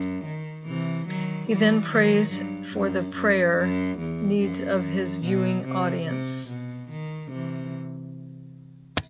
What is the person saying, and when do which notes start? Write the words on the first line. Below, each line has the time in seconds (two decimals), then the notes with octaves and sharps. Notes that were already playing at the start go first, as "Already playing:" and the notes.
He then prays for the prayer needs of his viewing audience.
Already playing: F#2
0.25 D#3
0.66 C3 E3
1.08 D#3 F#3
1.49 E3 G3
1.91 D#3 F#3
2.33 G2
2.74 F#2
3.16 F#2
3.57 F#2
3.99 E2
4.40 F#2
5.24 B2
5.65 C3
6.07 C3
6.48 B2
6.90 D#3
7.32 C3 E3